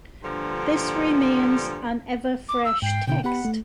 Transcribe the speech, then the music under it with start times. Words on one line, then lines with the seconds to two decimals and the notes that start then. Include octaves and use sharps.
This remains an ever fresh text.
0.22 G2 A#2 D3 F3
2.49 D6
2.65 E6
2.82 G#2 G5 C7
3.07 B2 D3 G5
3.24 B3 G4 F#5 B5
3.45 A3